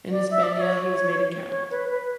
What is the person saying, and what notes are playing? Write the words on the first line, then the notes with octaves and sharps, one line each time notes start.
In Hispania he was made a count.
D5
E5
D5
D5
C#5
C#5
B4
B4